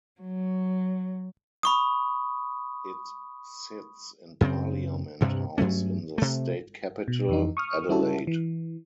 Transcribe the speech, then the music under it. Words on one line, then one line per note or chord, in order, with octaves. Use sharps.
It sits in Parliament House in the state capital, Adelaide.
F#3
B5 C#6 D#6
F#2 C#3 B3 C4
D2 G2 C3
G2 F#3 A3 C#4
C3 A3
B2
F2 E3 D#4
C#6 D#6 F6
G3 C#4 E4 F#4 A4
E3